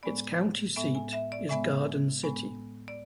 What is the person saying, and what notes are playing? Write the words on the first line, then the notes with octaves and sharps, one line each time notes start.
Its county seat is Garden City.
A2 G#3 B3 D5
A2 G#3 B3 E5
G#5
E5
D5
A2 G#3 B3 E5
A2 G#3 B3
D5